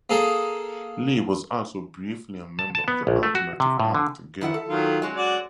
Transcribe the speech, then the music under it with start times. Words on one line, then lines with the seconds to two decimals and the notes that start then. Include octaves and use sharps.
Lee was also briefly a member of the alternative act Gerling.
0.10 A#3 G#4 A4
2.59 A5
2.75 A5
2.88 B3
3.07 A#1
3.23 A3
3.35 F#4
3.60 C3
3.80 A2
3.94 D3
4.41 D#3 E4 F#5
4.54 A4
4.69 D#3 F#3 F4
5.02 F#3 G#3 C#4
5.17 F#4 D5